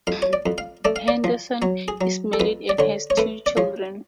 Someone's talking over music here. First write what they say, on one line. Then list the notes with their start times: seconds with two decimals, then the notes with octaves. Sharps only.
Henderson is married and has two children.
0.07 F2 F5
0.22 C#5
0.33 D5
0.46 F2
0.58 F5
0.85 A3 D5
0.96 F5
1.08 D5
1.24 F3
1.62 F#3 C#5
1.88 G#4
2.01 F#3
2.33 A4
2.40 F2 B4
2.69 D5
2.79 D3 C#5
3.10 C#5
3.17 A3 B4
3.46 D5
3.57 F3 C#5